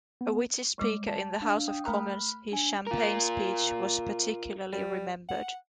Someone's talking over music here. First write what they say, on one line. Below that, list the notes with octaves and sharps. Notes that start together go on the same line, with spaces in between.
A witty speaker in the House of Commons, his "champagne speech" was particularly remembered.
B3
G3 G#3 D6
A5
D4 F5
G5 D#6
A3 A#4 A#5 B5 F6 F#6
D4 G#5
F4 A#4
G3
F#5